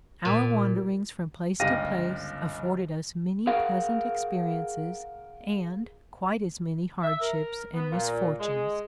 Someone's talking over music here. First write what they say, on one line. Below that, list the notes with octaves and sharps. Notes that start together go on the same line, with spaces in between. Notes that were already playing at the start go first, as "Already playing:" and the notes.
Our wanderings from place to place afforded us many pleasant experiences and quite as many hardships and misfortunes.
A#2
G1 C#2 G4 F5 A#6 D#7
G#4 A#4 F5 F#5
E5
A#4
B3
A#2
G#3